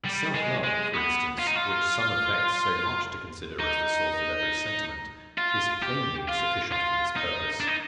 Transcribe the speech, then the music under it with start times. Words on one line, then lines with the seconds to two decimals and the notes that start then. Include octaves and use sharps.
Self-love, for instance, which some affect so much to consider as the source of every sentiment, is plainly insufficient for this purpose.
0.05 G3
0.34 G#3
0.64 G#3
0.94 B3
1.39 F4
1.47 D#4
1.55 F4
3.60 D#4
5.38 F4
5.82 G4
6.28 F4
6.72 F4
7.16 D#4
7.60 D4
7.67 D#4